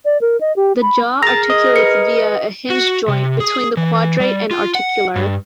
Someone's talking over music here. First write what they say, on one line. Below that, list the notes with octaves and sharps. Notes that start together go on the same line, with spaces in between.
The jaw articulates via a hinge joint between the quadrate and articular.
D5
A#4
D#5
G4
B5
G#4 A#4 A#5 A6 A#6
D#5
B4 C#7
F#4
C3
G#4
E3
G3
F4
F#5
G2